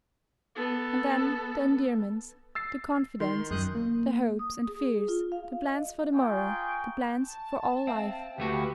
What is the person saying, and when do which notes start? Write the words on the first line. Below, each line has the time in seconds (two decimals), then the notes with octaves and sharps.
And then the endearments, the confidences, the hopes and fears, the plans for the morrow, the plans for all life.
0.55 B3 A4
2.55 E6 A6 C7
3.20 D#3 C6
3.51 F#2 D#6 F#6 G6
3.75 A#3
4.39 D#6
4.68 G#4
4.81 G#4
5.08 F4
5.32 F5
5.67 D#5
6.14 F4 G#4 G5 G#5 A#5 C#6
7.24 A5
7.87 C4 E5 F5
8.38 D2 A3 F#4 G4 B4